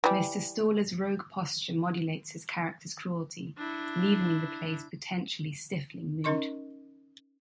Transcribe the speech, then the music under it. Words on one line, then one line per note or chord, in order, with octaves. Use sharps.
Mr. Staller's rogue posture modulates his character's cruelty, leavening the play's potentially stifling mood.
E3 G3
D4 E4
C#4 D#4 A#4 D#5 C6 C#6